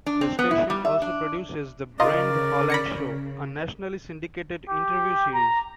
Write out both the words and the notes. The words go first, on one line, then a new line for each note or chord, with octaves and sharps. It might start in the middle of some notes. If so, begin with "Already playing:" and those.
The station also produces "The Brent Holland Show", a nationally syndicated interview series.
D4
C4
B3
E4
G3
E5
D4
C#3 D#4 F4 A#4 D5 D#5
B5 A#6 C#7
G4
A#5